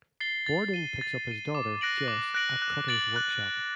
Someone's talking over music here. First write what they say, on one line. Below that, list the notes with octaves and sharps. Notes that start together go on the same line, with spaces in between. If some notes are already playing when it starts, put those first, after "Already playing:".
Borden picks up his daughter, Jess, at Cutter's workshop.
A6 C7 G7
A6
D#7 G7
A6
D#7 G7
D6
F#6 A#6 D7 F#7
D6
F#6 A#6 D7 F#7
F#6
A6 D7 F#7
F#6